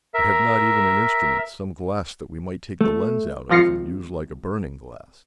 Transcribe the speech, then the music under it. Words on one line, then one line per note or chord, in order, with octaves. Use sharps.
"We have not even an instrument, some glass that we might take the lens out of, and use like a burning glass."
A#4 E5
A3
G#1 F3 F4 A#6 C7 C#7